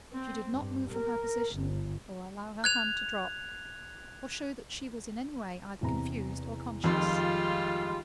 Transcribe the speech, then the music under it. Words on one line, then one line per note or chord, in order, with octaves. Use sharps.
She did not move from her position, or allow her hand to drop, or show that she was in any way either confused or conscious.
C4
G2
A#4
G1
F#6 G#6 F7
E2 C3 A#5
F2 D#3 G3 G#3 F4